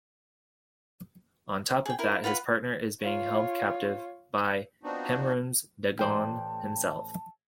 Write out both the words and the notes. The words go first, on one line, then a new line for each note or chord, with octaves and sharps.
On top of that, his partner is being held captive by Mehrunes Dagon himself.
G#4 G5
E4 A#4
F4 B4 F#5 B5
F4 C#5
F3 B3 C4 D4 D#4 F#4
A1 C5 D5 G5 A5